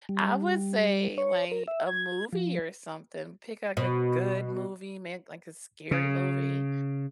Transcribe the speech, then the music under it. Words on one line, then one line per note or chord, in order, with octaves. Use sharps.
I would say, like, a movie or something. Pick, like, a good movie, ma like a scary movie,
G3
C#5
A#4
E5
G#6
F3
B2
C#3